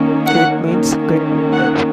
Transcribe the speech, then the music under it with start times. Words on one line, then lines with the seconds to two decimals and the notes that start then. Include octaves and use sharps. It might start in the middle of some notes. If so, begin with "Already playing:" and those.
It means "great winter".
Already playing: D#3 A#3 C#4
0.27 F#5
0.69 D#3 A#3 C#4
1.52 F#5